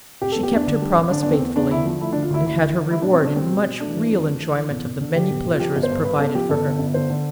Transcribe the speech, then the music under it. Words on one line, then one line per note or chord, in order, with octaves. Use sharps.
She kept her promise faithfully, and had her reward in much real enjoyment of the many pleasures provided for her.
F1 G4
A4
E2
G4
E2 D4
D3
G3
F1
D3 D4
D4
E2
C4
E2
E2 D4
D3 E4
F3
A3 E4
D4
D3
F4
D2 E4
D2 E4
D3
D3
G3 E4
D4
B2
C4
E1 D4
G3 C4
B2
B2
A3 D4
E3
F2
A3
E3
E3
E1
E1
D3
D3 G4
E1
E1
F4
F3 G4
G1
C5
G2
G2 B4
G1 A4
F3 G4
G1 A4
D3
G1
D3 C5
D3